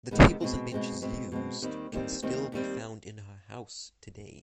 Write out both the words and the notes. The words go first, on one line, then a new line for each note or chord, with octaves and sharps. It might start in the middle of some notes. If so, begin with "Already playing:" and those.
The tables and benches used can still be found in her house today.
E2 C3 D#3 G#3 B3
B2 G#3 C4
B2 G#3 C4
B2 G#3 C4
B2 G#3 C4
D#2 D#3 G3 C4
D#2 D#3 G3 C4
D#2 D#3 G3 C4
D#2 D#3 G3 C4